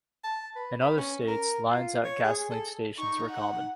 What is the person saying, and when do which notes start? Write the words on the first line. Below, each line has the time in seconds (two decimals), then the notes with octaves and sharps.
In other states, lines at gasoline stations were common.
0.24 A5
0.56 B4
0.81 B4
0.98 C#4
1.28 A#4
1.70 F4
2.04 C#5
2.24 G#4
2.50 A4
2.98 D#4 C#6
3.30 F#5